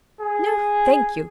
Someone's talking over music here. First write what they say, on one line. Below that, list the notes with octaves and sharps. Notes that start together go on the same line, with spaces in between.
'No, thank you.
G#4